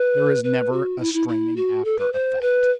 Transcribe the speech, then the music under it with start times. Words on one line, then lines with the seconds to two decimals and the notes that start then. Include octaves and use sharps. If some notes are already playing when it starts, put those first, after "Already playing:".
There is never a straining after effect.
Already playing: B4
0.44 B4
0.72 F#4
1.00 E4
1.14 E4
1.29 E4
1.56 F#4
1.85 A4
1.99 B4
2.13 C5
2.41 B4